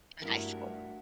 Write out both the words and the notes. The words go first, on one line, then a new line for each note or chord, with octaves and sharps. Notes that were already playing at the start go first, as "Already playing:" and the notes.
in high school.
G2 A3 E4 F#4 A#4 F#5